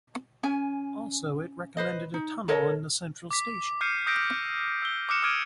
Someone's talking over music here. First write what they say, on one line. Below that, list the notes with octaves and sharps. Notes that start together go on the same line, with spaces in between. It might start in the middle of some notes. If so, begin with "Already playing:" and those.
Also it recommended a tunnel and a central station.
C#4 G#5
B4 C5 D#5
D#4
A4 A#4 C#5 D#5
D6 B6
D6 F6 G6 C7 C#7 D#7
D#6 E6 G6 A#6 B6 D7
E6 G7
D6 D#6 F6 F#6 C#7 E7
D6 D#6 F6 G#6 D7 D#7